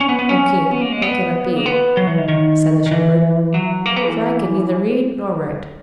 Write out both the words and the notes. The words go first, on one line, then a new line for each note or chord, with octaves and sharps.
"O king! that cannot be," said the shepherd; "for I can neither read nor write."
C#4
B3
B3
C#4
B3
A#3
G#3
B3
A#3
B3
F#3
E3
D#3
D#3
D#3
E3
F#3
A#3
B3
E3